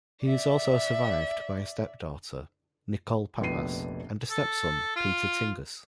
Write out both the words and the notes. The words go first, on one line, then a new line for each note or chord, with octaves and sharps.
He is also survived by a stepdaughter, Nicole Pappas, and a stepson, Peter Tingus.
D5 E5
F1 A#1 B2 B4 C7 D#7
A4
F4